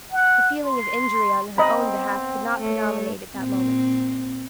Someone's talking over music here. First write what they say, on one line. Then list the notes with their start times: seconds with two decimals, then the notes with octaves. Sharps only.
The feeling of injury on her own behalf could not predominate at that moment.
0.12 F#5
0.66 C6
1.58 B3 C4 D#5 A#5 B5
2.59 A3 C#5
3.37 A#2 C4